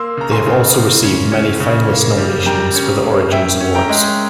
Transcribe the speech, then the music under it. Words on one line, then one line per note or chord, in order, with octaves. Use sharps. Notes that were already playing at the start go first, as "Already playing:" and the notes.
They have also received many finalist nominations for the Origins Awards.
Already playing: A#3 C6 E6
C#3 A#5
G#5 C6
C#3
C#3
C#4
C#4
C#3
A#3
G3
G3 G5 A#5
C#4
A#3
C#4 E5 G5
C#4
G5 A#5
G#3